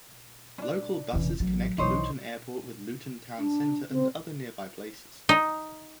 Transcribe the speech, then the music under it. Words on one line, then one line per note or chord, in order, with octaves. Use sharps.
Local buses connect Luton Airport with Luton town centre and other nearby places.
C#4 D4
E1 C#3 E3
A1 F#3
B1 E3 F#3 D#4 C5 C#5
D4
C4
D#4